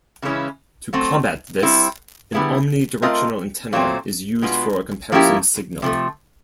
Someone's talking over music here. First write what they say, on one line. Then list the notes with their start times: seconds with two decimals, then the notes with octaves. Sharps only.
To combat this, an omnidirectional antenna is used for a comparison signal.
0.22 C#3 E3 G#3 C#4 E4
0.93 F#3 A3 C4
1.63 G3 C4 E4
2.32 D3 G3 B3 E4 G#4
3.02 A3 C4 F4 A#4 D#5
3.73 A#2 F#3 A3 C4
4.42 B2 G#3 B3 D4 F4
5.12 F3 A#3 C#4 E4 G4
5.82 C3 F3 A3